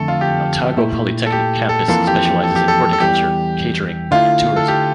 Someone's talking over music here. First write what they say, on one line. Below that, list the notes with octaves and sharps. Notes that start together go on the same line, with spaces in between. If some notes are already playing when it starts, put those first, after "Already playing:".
An Otago Polytechnic campus specialises in horticulture, catering and tourism.
Already playing: F2 D3 A3 A4
F4
G4
A#2 A3 E4
A4
G4
A4
F2 E3 A#3 F4 A4
G4
G4
A4
G4
A4
A4
E2 E3 G3 G4
D3 A3 E4 F4
A4
G4